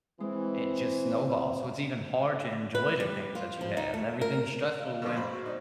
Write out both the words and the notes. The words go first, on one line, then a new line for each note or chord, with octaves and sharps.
it just snowballs, so it's even hard to enjoy the things that you have, everything's stressful when
E3 G#3 C4
B4
G3
F4
F3
D#4
A3
A#4
D#5 F5 D7
B2 D3 F3
G#1 C5 B5
F#4 C#6
D#4 C5 D5